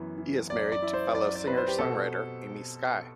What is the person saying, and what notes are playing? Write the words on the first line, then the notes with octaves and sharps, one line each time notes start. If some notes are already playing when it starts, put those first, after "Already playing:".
He is married to fellow singer-songwriter Amy Sky.
Already playing: F#2 E3 B3
E3
F#2 D5
D5
E4
C5
F#2 D5
D5
C4 B4
C5
G4
B2 A4